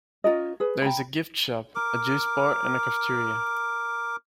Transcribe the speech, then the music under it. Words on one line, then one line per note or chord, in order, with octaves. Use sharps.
There is a gift shop, a juice bar and a cafeteria.
C#4 F4 A#4 D#5
G#4 B4
G5 A#5 B5
A#4 D6